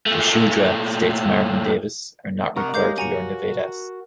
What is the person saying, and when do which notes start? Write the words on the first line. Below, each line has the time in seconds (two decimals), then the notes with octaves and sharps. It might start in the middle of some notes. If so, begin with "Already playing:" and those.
The Shudra, states Marvin Davis, are not required to learn the Vedas.
0.07 A#2 A3
2.56 C3 A#4 F#5 C#6 F#6
2.74 G#3 G4 C#5 F5 D6 G6 C7
2.98 F#4 G#5 A#5 C#7